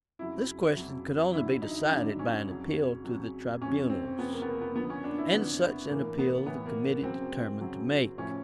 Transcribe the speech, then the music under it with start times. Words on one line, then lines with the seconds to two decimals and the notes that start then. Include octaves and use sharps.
This question could only be decided by an appeal to the tribunals; and such an appeal the Committee determined to make.
0.19 F2 C#3 F#3 E4
0.77 F2 C#3 F#3
1.33 F#2 D3 F#3 E4
1.62 D#4
1.90 F#2 D3 F#3 D4
2.19 C#4
2.47 F2 C#3 F#3
3.04 F2 C#3 F#3
3.61 F2 C#3 F3 C#4
3.90 C4
4.18 F2 C#3 F3 B3
4.33 A#3
4.42 B3
4.47 A#3
4.62 B3
4.76 F2 D3 F3 B3
4.90 C#4
5.04 D4
5.18 E4
5.32 F2 D3 F3 B3
5.89 A2 E3 A#3
6.18 B3
6.46 A2 E3 B3
6.66 A#3
7.03 F#2 C#3 F#3 C4
7.61 F#2 C#3 F#3
8.18 A2 F3 C#4